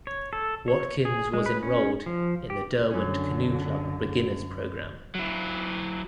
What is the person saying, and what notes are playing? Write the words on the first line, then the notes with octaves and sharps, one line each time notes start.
Watkins was enrolled in the Derwent Canoe Club beginners program.
C#5
A4
C#5
G#4
G#3
B4
C#4
F3
G4
F#2 D3 C#4
F#3 E4